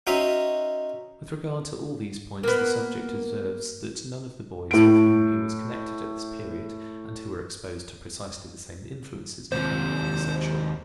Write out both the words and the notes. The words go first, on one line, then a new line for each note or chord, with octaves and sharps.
With regard to all these points the subject observes that none of the boys with whom he was connected at this period, and who were exposed to precisely the same influences, became homosexual.
C#4 D#4 F#4 C5 D#5 E5
A#3 B3
A2 D7
D#2 C3 C5